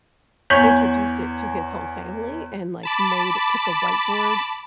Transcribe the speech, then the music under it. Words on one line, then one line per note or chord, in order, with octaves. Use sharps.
introduced it to his whole family and, like, made took a whiteboard
E2 C#5 G#5 G6 B6 F#7
A5 B5 D6